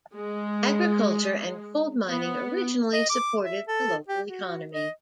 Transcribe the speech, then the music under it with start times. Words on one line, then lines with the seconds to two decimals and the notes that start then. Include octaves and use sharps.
Agriculture and coal mining originally supported the local economy.
0.16 G#3
2.08 B3
2.93 D#5
3.10 D6
3.44 E5
3.68 A4
4.09 G4
4.27 F#4
4.73 D#5